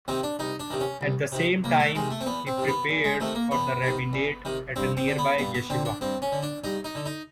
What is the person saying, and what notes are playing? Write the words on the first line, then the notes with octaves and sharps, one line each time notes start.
At the same time, he prepared for the rabbinate at a nearby yeshiva.
C3 D#3 C4
D4
C2 D#4
D4
C3 D#3
C#4
C2
C3 D#3
C2 A#3
A3
C3 D#3 G#3
A3
C4
E2 B3
C4
C3 D#3
B3
E2
G#3
C3 D#3 A3
A#3
E2 B3
C3 D#3
E2
C3 D#3
G2 C4
C4
D3
B3
G2 B3
B3
D3 C4
D4
G2 C4
C#4
D3
D4
G2 D#4
D#4
D3
D#4